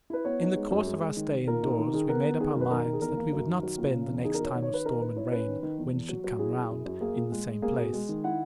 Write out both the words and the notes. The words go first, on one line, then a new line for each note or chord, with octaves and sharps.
In the course of our stay in doors we made up our minds that we would not spend the next time of storm and rain, when it should come round, in the same place.
E4 B4
B3 C#5
D#4
G#3
F#2
G#3
G#3
D#3
D#3
A#2 A#4
D#4
D#3
D#3 G#4
B3 A#4
B3
D#3 G#4
A#4
F#2
B4
D#3 A#4
D#3
G#4
E2 A#4
A#3
F#2
D#3
F#3
A#2
C#3
E2
D#4 G#4
A#4
B2
C#5
D#3
C#5
D#3 B4
D#4 A#4
D#4 B4
E4 C#5
C#4 B4
D#3
D#3
E2
E2
F#3
F#3
E4 G#4
E4
F#2
F#2
A#3 G#4
A#2
G#3
G#3
A#3 G#4
B2
G#3
D#3
E4 F#5